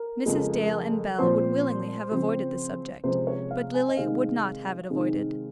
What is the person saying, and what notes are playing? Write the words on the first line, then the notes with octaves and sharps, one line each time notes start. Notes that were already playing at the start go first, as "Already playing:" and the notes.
Mrs. Dale and Bell would willingly have avoided the subject, but Lily would not have it avoided.
Already playing: A#4
F2 C#3 F3 G#3 C#4
A#2 F3 C4 C5
C#3 F3 C4
C3 F3 G#3 C#4 C5
C#5
F5
G#5
D#5
C3 D#3 G#3 C4 F5
C3 D#3 G#3 C4